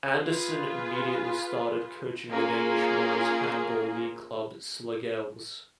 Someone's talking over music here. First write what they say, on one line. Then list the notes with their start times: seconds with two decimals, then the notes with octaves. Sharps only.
Andersen immediately started coaching the Danish Women's Handball League club Slagelse.
0.16 F4 G#4 B4
2.29 A#3 C#4 F4 G#4